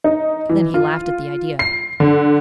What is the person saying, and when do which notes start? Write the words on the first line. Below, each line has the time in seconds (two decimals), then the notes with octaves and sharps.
Then he laughed at the idea.
0.04 D#4
0.49 E3
0.74 F4
1.59 C7
2.00 D3